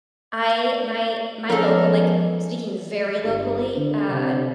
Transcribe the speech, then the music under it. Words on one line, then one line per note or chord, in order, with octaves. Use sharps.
I my my loca like, speaking very locally- uh,
F3 G#3 B3 C#4 A4 A#4
G1
D3
C3